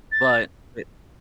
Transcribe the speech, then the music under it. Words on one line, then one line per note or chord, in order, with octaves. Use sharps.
but but
A6